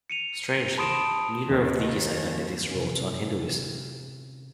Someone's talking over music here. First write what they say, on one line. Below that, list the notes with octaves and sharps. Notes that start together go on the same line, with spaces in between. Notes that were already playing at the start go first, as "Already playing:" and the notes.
Strangely, neither of these identities wrote on Hinduism.
C#7 D#7 F7
A5 B5 C6 D#6 D7 E7
D#2
C3 C#4